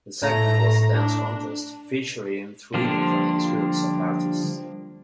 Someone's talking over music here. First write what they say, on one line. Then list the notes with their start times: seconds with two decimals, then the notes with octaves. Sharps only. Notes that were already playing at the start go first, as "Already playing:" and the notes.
The segment was a dance contest featuring three different groups of artists.
0.22 A2 A3 A#5
0.94 D4
2.74 D3 F3 G3 A#3 D4